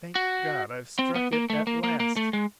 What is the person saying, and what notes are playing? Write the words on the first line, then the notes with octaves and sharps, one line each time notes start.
"Thank God, I've struck it at last!"
F#4
C4
B3
A#3
A3
A#3
A#3
A#3
A3
G#3